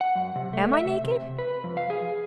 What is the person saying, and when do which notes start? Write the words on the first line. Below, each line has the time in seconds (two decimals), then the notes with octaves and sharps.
'Am I naked?
0.01 F#5
0.15 F#2
0.36 C3
0.53 A3
0.73 E5
0.85 C3
1.04 C3
1.39 B4
1.64 F2
1.77 F5
1.90 G#4